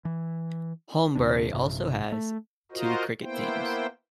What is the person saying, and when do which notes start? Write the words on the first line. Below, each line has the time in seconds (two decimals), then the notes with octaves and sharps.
Holmbury also has two cricket teams.
0.05 E3
1.15 D#2 C3 D4
1.53 A#1 G2 C3
2.12 A3
2.72 F4 F#4 A#4 C5 D#5
3.22 A#3 B3 E4 C5 G5